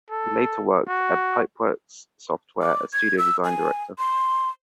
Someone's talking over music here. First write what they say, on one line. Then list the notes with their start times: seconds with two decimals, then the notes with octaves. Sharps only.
He later worked at Pipeworks Software as Studio Design Director.
0.10 A4
0.88 F#4
2.62 D6
2.93 G#6
3.18 E6
3.44 G#5
3.98 C6